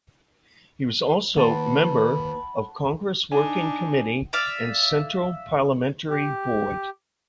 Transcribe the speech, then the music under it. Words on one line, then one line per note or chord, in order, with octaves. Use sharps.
He was also member of Congress Working Committee and Central Parliamentary Board.
D#3 A#3 B4 F#5 A5 B5 C6
D4 D#4 G#5
D5 E5 F5
G4